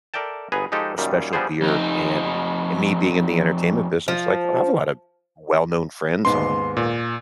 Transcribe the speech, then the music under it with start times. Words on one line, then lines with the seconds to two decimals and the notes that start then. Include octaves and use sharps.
a special beer. And and me being in the entertainment business, like, I have a lot of well known friends on
0.14 A4 A#4 D5 E5 G5 A5
0.52 G1 B3 G#4 B4 G#5 A#5
0.72 F3 G#3 D#4 G4 A4
0.98 F#2 A#2 D#3 G3
1.33 F3 G3 B3 D4 G#4 C5
1.61 F2 D#4
4.08 F3
6.25 D#2 G#2 B3 C6
6.77 A#2